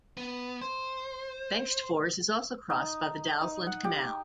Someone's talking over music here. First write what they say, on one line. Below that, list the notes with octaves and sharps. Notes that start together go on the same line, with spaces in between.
Bengtsfors is also crossed by the Dalsland Canal.
B3
C5
D#4
D#4
F#5
G4